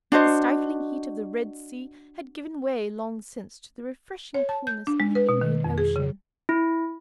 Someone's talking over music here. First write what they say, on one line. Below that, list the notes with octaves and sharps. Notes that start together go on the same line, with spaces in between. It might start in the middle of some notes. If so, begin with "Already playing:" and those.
The stifling heat of the Red Sea had given way long since to the refreshing coolness of the Indian Ocean.
D4 F#4 C5 D#5
C#5
A5
G6
D4
G#3
B4
B2
D#3
F2
G#4
C#3
E4